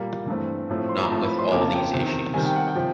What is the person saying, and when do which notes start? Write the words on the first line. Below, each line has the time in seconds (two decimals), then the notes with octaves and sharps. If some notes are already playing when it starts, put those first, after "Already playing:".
Not with all these issues.
Already playing: A#2 G3 A#3
0.28 G2 E3 A3 C4
0.70 A2 F3 A3 C4
0.89 C6
0.96 B5
1.03 A#5
1.11 A2 F3 A3 C4 A5
1.25 B5
1.39 C6
1.51 F2 C#3 F3 A#3 D6
1.62 A5
1.73 G5
1.93 E2 C3 D#3
2.34 C3 D#3 G3 G#5
2.45 G5
2.56 F#5
2.68 G5
2.76 C3 F3